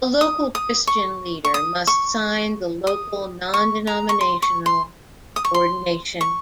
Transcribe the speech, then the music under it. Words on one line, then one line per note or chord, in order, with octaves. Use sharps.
A local Christian Leader must sign the local non-denominational ordination.
D#6
D#6
C#6
C#6
D#6
C#6
D#6
C#6
A#5
C#6
C6
C#6
C6
D#6
C#6
C6
C#6